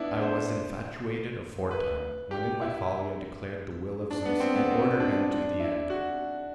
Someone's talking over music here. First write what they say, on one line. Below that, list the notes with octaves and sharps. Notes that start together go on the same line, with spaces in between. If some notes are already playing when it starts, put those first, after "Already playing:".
I was infatuated aforetime, when in my folly I declared the will of Zeus in order and to the end.
Already playing: B3 D4 E4
C5
B4
G4
E4
D4
B3
C4
B3
C4
D4
D4
E4
F#4